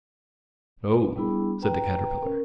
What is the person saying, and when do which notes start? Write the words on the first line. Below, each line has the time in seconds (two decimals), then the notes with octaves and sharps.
'No,' said the Caterpillar.
0.90 B4
1.16 G3 B3 D4 E4 G#4 B5
1.62 B4 G5 A#5
2.22 C#4 A#4